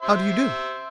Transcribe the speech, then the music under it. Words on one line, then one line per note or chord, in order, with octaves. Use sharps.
"How do you do?"
C5 E5 C6